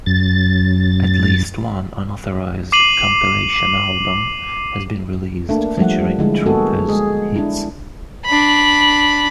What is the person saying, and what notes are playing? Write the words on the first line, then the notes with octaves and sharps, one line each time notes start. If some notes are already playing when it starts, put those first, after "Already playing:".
At least one unauthorised compilation album has been released featuring Trooper's hits.
F#2 A6
D6 C7 D#7 F#7
A3 A#3 D4
F3 G3 A3 F#5
D3 G#3 E4
A#3 B3 F#4 G#4 A4
G#3 G#4
D4 E4
D4 B5